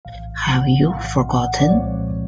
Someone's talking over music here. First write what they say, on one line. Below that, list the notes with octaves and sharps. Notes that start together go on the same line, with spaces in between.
Have You Forgotten?
A#1 A2 E3 F5
F#5
A#1 A2 E3 F5
F#5
D5
C2 A#2 F3 G#3 C4 C#5